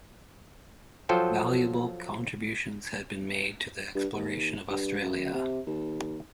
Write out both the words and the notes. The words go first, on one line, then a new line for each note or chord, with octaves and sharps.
Valuable contributions had been made to the exploration of Australia.
F3 F#3 F4 A4 C5 G5
G2
D#2
G2
F#2
C3
D#2